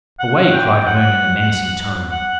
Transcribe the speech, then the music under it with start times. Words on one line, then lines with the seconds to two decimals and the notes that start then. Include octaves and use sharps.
"Away!" cried Herne in a menacing tone.
0.20 F#5
0.53 G5
0.87 F#5
2.11 F#5